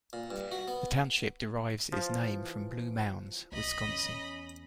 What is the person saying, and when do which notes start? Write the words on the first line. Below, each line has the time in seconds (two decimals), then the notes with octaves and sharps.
The township derives its name from Blue Mounds, Wisconsin.
0.13 A#2
0.31 G2
0.52 F#4
0.68 B3
1.92 E3 F3
3.52 B1 D#5 B5
3.87 E2 C#4